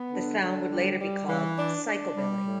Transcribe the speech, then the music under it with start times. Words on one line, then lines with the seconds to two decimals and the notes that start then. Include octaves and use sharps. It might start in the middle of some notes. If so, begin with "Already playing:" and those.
This sound would later be called psychobilly.
Already playing: B3
0.11 D3
0.41 D3
0.70 G3
0.99 G3
1.28 E3
1.58 D4
1.86 D4
2.16 G3
2.44 A2